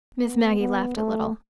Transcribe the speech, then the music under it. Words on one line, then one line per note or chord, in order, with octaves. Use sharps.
Miss Maggie laughed a little.
B3
B3
A3